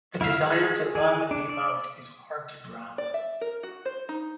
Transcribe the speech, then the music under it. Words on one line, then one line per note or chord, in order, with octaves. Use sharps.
The desire to love and be loved is hard to drown.
E4 F4 E5 F5
G#4
E3 G#4
D4
D5
D5
E5
A#4
F#4
C5
D#4